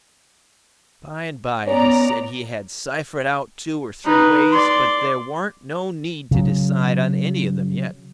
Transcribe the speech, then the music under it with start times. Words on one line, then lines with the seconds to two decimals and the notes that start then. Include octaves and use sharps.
By and by he said he had ciphered out two or three ways, but there warn't no need to decide on any of them yet.
1.66 B3 C#4 D5 A#5
4.05 D#4 B4
4.51 D5 C6
6.31 C#3 F#3